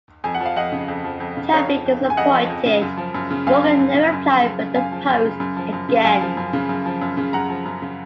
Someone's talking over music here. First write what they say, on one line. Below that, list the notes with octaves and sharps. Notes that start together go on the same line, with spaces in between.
Terribly disappointed, Morgan never applied for the post again.
F2 G#5
F#5
F3
F5
F2 D#5 F#5
C#3
F2
F3
F2
C#3
F2 C#5 F5
F3
F2
C#3
G#5
F2 D#5 F#5
F3
F2
C#3
F#2
F3
F#2
C#3
F#2 F5 G#5
F3
F#2
C#3
F#2
F3
F#2
C#3
F#2 F5 G#5
F3
F#2
C#3
F#2
F3
F#2
C#3
F#2 F5 G#5
F3
F#2
C#3
F#2
F3
F#2
C#3
F#2 F#5 A#5
F3
F#2
C#3